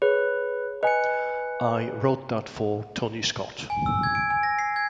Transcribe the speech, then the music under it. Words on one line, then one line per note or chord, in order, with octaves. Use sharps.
I wrote that for Tony Scott.
G#4 B4 C#5
B4 D#5 G#5 C#7
G#5
E6
G#6
D7
G#5
A#6
C7
G#6